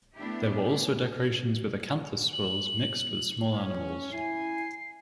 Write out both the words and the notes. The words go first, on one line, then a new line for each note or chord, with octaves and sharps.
There were also decorations with acanthus swirls mixed with small animals.
A3 B3 D4 E4 G4
F#7
C#4
E4 G#5 C7